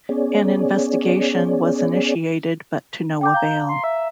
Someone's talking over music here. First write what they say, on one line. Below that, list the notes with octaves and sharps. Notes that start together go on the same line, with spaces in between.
An investigation was initiated, but to no avail.
B3 C#4 G#4 C#5 D5
G5 D6 G6
F5 A#5 G6
C6
E5